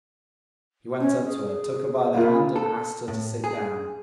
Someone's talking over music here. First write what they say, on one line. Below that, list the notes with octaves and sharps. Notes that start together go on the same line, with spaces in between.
He went up to her, took her by the hand, and asked her to sit down.
C#4
G#4
A#3 F4 B5
A4
A2
G#4